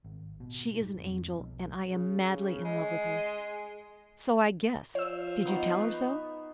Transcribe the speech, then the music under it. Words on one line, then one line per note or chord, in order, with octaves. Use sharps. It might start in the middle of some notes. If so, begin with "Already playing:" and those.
"She is an angel, and I am madly in love with her." "So I guessed; did you tell her so?"
G#1
B2
G#2
F2
B1
C#3
G#3
F3 C#5 E6
B3 D#4 C#6